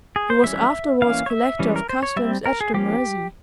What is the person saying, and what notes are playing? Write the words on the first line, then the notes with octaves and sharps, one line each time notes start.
He was afterwards Collector of Customs at the Mersey.
G#4
C5
E3 G3 C#4 E5
E3 A#3 C#4 F5
C#5
E5
E3 G3 C#4
A#4
C5
C#5
G3 C4 E5
A#4
G#4
F3 A#3 C#4 G4